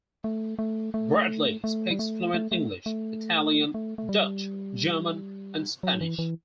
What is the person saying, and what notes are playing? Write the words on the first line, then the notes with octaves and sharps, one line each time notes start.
Bradley speaks fluent English, Italian, Dutch, German and Spanish.
A3
A3
A3
A3
G3
A3
A3
A3
A3
A3
A3
G3
F#3
E3
E3